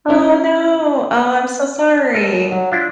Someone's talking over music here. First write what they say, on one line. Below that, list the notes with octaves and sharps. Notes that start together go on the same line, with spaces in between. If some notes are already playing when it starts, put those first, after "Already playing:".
Oh no, oh, I'm so sorry.
C#4 E4
D#2 A4 A#4 D#5
F#3
D4 E4 F4